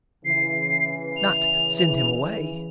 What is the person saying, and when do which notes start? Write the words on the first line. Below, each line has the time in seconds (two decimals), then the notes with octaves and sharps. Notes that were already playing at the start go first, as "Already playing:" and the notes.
"Not--send him away?"
0.25 C#3 E3 C7
1.17 F7